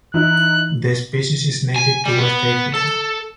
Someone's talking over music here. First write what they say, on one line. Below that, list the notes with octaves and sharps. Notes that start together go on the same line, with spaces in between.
The species is native to West Africa.
E3 D#4 E4 F#6
G#5
G3
B3
A4